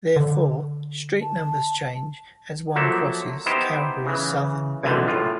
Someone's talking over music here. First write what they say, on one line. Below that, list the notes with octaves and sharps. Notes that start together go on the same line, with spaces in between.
Therefore, street numbers change as one crosses Calgary's southern boundary.
D3
A5
F3 F#3 A#3 A4 E5
B3 D#4 E4 G4 C5
C#3 E3
C#2 F#2 B2 D3 E3 F3
A2 F4